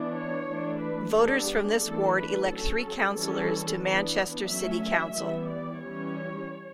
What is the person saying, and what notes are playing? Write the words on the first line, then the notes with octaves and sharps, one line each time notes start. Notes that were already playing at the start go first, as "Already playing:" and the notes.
Voters from this ward elect three councillors to Manchester City Council.
Already playing: E3 B3 D4
C#5
E3 A3 D4
B4
G3 B3 D4 A4
G4
E3 A3 D4 A4
B4
F#3 C#4 A4
E3 G3 C#4 A4
E3 B3 D4
F#3 A3 C#4 E5
E5
E3 G3 B3 E5
D5
E3 G3 C#4 C#5